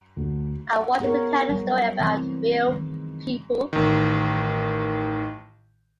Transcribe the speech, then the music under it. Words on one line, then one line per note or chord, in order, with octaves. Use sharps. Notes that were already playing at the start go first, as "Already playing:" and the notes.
I wanted to tell a story about real people.
D2
F#5
B3 G4 G#4 A#4 C#5
F#3 G3
C3 E3 A3 C4
D#3 G#3
A1 D#3